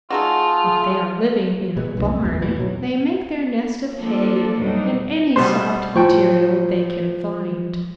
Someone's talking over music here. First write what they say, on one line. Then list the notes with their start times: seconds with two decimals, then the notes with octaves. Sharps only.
If they are living in a barn, they make their nest of hay and any soft material they can find.
0.10 A3 D#4 F4 F#4 G#4
1.77 B2 G3 G#3 B3
1.97 C2 F#2 E3
2.21 A1 E2
2.40 B2 E3
2.59 G#2 B2 F#3
3.99 F3 A#3 D4 A4
4.58 E2 B2 F#3 G3 D4 D#4
5.36 B2 G3 C5
5.96 A2 F3 G5 C#6